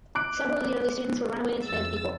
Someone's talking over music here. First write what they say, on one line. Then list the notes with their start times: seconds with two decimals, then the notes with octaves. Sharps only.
Several of the early students were runaway enslaved people.
0.15 D6 F#6 D7
1.63 F2 E6 A6